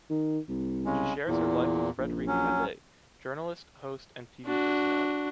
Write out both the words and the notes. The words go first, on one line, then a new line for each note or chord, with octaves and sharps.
She shares her life with Frédéric Taddeï, journalist, host and TV personality.
D#3
C2
C#3 G#3 C#4
E2 A#2 E3
A#1
F#3 C#4
D4 F#4